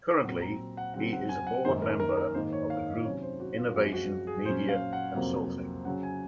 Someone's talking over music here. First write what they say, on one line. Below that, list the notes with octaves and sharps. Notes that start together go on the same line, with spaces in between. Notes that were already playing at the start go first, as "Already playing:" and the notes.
Currently he is a board member of the group Innovation Media Consulting.
A#2 F#3 C4 F#5
A#5
F#5
C#3 F#3 C4 F#5
F#5
G#5
F#5
F#2 D#3 A#3 C5
A#4
A#4
A#4
G#2 D#3 A#3 C5
C#5
F5
D#5
C3 F#3 C#4 C#5
C5
F#4
F4
F#2 F3 G#3 C4 F#4
F#4
G#4
A#2 F#3 C#4 C5
F5
F#5
F2 C3 F#3 A#3
C#3 F#3 C#4 F#5
G#5